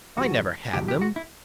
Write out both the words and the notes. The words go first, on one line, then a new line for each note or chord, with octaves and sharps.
"I never had them!"
E1 E2 B2 G3 F#4
E1 E2 B2 G3 G4
G4
F#4
E4